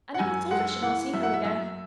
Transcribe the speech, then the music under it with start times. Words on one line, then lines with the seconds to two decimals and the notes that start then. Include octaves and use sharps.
I never thought I should not see her again.'
0.14 F#5
0.19 F#2 G#5
0.51 G#3 F#5
0.82 E3 F#5
1.14 F#2 E5
1.23 F#5
1.33 E5
1.44 F#2 E5